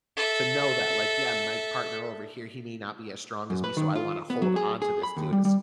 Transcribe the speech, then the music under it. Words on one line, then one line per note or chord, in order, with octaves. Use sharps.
to know that, like, yeah, my partner over here, he may not be as strong as me, so I wanna hold on to this dude as
A4 E5
F#2
B4
D#3
F4
B3
F#3
G#4
G#4
B5
D#2
G3
G3